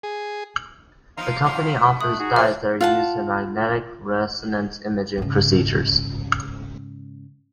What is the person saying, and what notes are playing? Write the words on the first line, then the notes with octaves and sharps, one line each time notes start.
The company offers dyes that are used in magnetic-resonance-imaging procedures.
G#4
F3 B3 D#4 F5 A#5 C6
F2 B2 D#4
A3 D#6 F#6
D#4 F#4 G#4
F3 F4 C5 E5
F4 F#5 A5
G#2 C#3